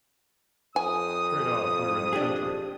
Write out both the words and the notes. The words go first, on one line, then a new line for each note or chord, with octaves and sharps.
Straight off, we were in the country.
F2 G#5 D#6
D4 G4 G#4